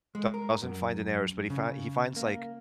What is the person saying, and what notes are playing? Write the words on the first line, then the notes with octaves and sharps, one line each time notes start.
d doesn't find Daenerys, but he find he finds, like,
G#3
A#4
F#2
C#3
A#3